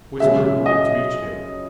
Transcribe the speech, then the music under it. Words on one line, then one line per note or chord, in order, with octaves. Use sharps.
Whispered words reached him.
F#2 C#3 G#3 E5
D#5